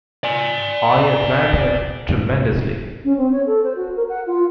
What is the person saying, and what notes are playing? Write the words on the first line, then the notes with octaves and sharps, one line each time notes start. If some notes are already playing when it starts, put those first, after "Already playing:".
I admired him tremendously.
D5 G#5
C#4
C4
C#5
A4
C5
F#4
A#4
F#5
F4